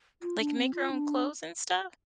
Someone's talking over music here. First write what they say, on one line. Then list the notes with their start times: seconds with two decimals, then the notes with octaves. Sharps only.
like, make our own clothes and stuff.
0.22 F4
0.40 D4
0.57 C4
0.74 F4
0.91 D4